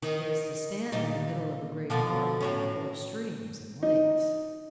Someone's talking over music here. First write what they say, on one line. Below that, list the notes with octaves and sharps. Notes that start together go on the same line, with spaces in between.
It is to stand in the middle of a great park, full of streams and lakes.
D#3
A#2 G3 D#4
B2 D3 F3
A2 F#3 C#4
D#4